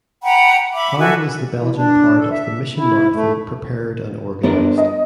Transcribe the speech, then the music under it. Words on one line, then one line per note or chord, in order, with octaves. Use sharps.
How was the Belgian part of the Mission Marathon prepared and organised?
F#5 G5 A#5 B5
E5 B5 D6
F#4 A4 E5 G#5
E3
D4
A4
E5
E4
A3
G1 B3 D4 A#4
D#5